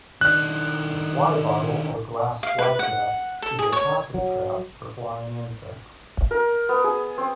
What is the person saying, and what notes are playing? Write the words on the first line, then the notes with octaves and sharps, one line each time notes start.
A fly bottle or glass flytrap is a passive trap for flying insects.
D#3 D4 F#6
F5
B4
F#5
A4
G#4
C#5
F#3
A#4
B3
G#4
C4